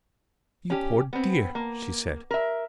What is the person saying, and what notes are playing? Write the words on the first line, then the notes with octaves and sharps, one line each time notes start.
"You poor dear!" she said.
C#4 G4
B3 C4
A#3
A#4 E5